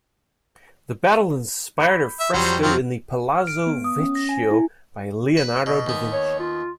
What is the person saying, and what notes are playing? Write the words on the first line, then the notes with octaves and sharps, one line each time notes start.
The battle inspired a fresco in the Palazzo Vecchio by Leonardo da Vinci.
B5 G6 B6
E5
F2 F#3 G3 C5
F2 F#3 C4 F4 G5
F6
D7
B3
D#6
C#4
A#6
G#5
E4
B4
B2
D#2 B3
C#5
F4